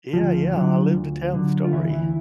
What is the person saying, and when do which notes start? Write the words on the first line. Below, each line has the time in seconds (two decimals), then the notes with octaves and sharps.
Yeah, yeah. I lived to tell the story
0.13 D2 F3 F4
0.53 D3 F#3
0.93 D2
1.33 D3 F#3
1.64 F4
1.72 D2 E3 E4
1.93 E3 E4